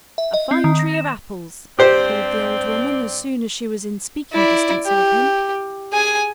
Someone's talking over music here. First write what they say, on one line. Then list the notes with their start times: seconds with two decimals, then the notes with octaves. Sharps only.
"A fine tree of apples!" called the old woman as soon as she was in speaking distance of him.
0.18 E5
0.34 D#5
0.51 C4
0.64 D#3
0.79 A#6
0.94 E7
1.79 G2 C4 G4 C5 D5
4.33 E4 D5
4.86 G4
5.93 G#4 G#5